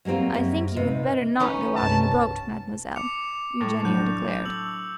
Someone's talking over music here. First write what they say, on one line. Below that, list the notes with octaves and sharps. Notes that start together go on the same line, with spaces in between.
"I think you had better not go out in a boat, mademoiselle," Eugenio declared.
F#3 G3 A#3 C4 F4
F#2
C3 D#4 F4 B4
B3 C#4 D#4
C2 G2 A5
D6 C#7 F7
A2
F#3 D4 G6
E6 F#7